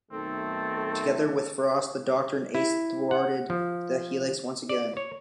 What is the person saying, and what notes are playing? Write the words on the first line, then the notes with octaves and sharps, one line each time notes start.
Together with Frost, the Doctor and Ace thwarted the Helix once again.
B1 D#3 A3 C4 A4
E4
F#5
F3
D5
C#5